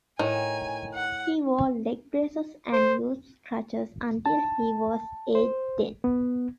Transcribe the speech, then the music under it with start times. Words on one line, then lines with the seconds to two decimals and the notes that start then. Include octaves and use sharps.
He wore leg braces and used crutches until he was aged ten.
0.19 A2 D#3 G#5
0.94 F#5
2.73 C5
4.26 A5
5.35 C5
6.04 B3